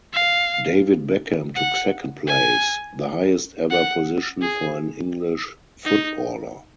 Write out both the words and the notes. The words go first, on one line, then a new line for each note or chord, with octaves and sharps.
David Beckham took second place, the highest ever position for an English footballer.
F5
F#5
G#5
F#5
G#4
D#4